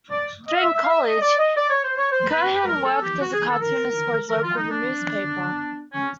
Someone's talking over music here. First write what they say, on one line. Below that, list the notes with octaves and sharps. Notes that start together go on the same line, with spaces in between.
During college, Cohen worked as a cartoonist for his local newspaper.
D5
D#5
F5
E5
E5
F5
E5
D#5
D5
D#5
D5
C#5
C5
C#5
C5
B4
B4
A#4
A4
G4
F#4
G#4
A4
A#4
A#4
F4
D#4
D4
C#4